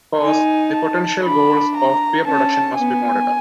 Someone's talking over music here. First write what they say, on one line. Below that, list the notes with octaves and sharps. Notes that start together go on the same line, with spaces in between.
First, the potential goals of peer production must be modular.
D#4 G#5
A5
D4 B5
A#5
C#4 A5
B3 G#5